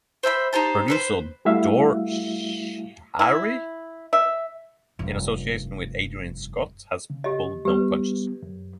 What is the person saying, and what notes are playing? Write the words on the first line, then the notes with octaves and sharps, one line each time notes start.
Producer Dore Schary, in association with Adrian Scott, has pulled no punches.
C5 E5 A5 B5
D#4 G4 C5 A5
A4 B4 C5
G3 A3 E4 F#4 E5 F5
E4
E5
F1 G2
C#3
G4 D#5
G3 B3 G4 B4
F#2